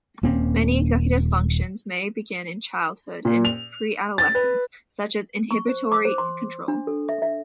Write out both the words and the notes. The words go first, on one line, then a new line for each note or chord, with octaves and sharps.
Many executive functions may begin in childhood and preadolescence, such as inhibitory control.
D#1 A#3 C4 C#4
A#2
F7
A6
B4
C#6
C5
D6
C5
C6
D4
A4
E5
E5